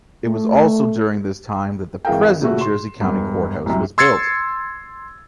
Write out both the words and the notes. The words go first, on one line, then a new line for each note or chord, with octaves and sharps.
It was also during this time that the present Jersey County Courthouse was built.
A3
G#1 E3 G#4 A#4 F5 G5
A#2 C#3 A3 F#4
C6 E7
E1 G2
C2 F#2
C6 E6 G#6 A6 C7 C#7